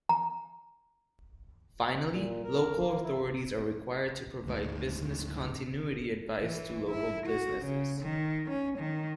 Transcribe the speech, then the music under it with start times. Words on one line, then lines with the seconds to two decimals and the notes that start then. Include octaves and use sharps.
Finally, local authorities are required to provide business continuity advice to local businesses.
0.09 A#5
2.10 A#2
2.44 A#4
2.77 A#3
3.03 E4
4.46 D2 G#2
6.43 E3
6.91 E4
7.27 F#4
7.65 C#3
8.02 D#3
8.50 C#4
8.79 D#3